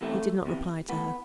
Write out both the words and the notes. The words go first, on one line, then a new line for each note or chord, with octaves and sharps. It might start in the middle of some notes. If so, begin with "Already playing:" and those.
He did not reply to her.
E2 C3 E3 A3
E2 C3 E3
A2 E3 B3